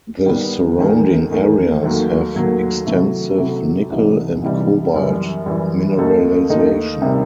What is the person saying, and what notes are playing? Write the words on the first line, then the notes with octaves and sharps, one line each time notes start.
The surrounding areas have extensive nickel and cobalt mineralisation.
D#3 G3 B3
E2 D#3 A3
E2 D#3 A3
D#2 D#3 F#3 A3
D#2 D#3 F#3 A3
C3 F#3 A3 E4 A4
C3 F#3 A3 E4 A4
C2 C3 E3 G3 D#4
C2 C3 E3 G3 D#4
F#2 E3 G3
F#2 E3 G3
D#2 D#3 A3 D#4 A4
D#2 D#3 A3 D#4 A4
C3 D#3 G3